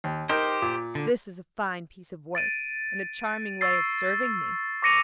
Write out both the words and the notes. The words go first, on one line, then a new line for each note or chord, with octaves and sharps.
This is a fine piece of work, and a charming way of serving me!
D#2
D#4 G4 A#4 C5
A#2
D3
A6 D7 D#7
C#6 E6 A6 C7
C#6 D6 A#6 C#7 D#7 F7